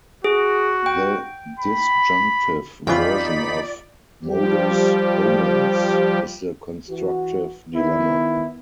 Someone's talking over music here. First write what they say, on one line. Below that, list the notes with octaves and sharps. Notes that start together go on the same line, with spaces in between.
The disjunctive version of "modus ponens" is the constructive dilemma.
F#4 G#4
G5
B5
F2 C#3 E3 D#4 F4 D5 G5 B5
F3 G3 G4
E3 F#4
D#3 B3 E4